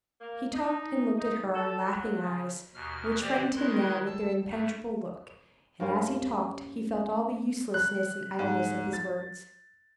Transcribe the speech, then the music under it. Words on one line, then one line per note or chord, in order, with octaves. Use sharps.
He talked and looked at her laughing eyes, which frightened him now with their impenetrable look, and, as he talked, he felt all the uselessness and idleness of his words.
A#3
D#4
D#4
A4
F#3
C#3
D#2 B2 F6
E3 A#3 C4 G4 C5 D5
D#3 G#3 E4 C6 F#6 G#6
A5 E6
G2 A3
G2 A#3 C#4 C5
F#6
G#2
A6